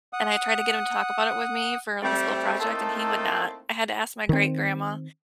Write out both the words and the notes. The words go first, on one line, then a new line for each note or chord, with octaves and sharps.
and I tried to get him to talk about it with me for, like a school project, and he would not. I had to ask my great-grandma,
F#5 D#6
G3 A3 C4
A3 A#3 C4 D#4 E4 A4
D#3 C4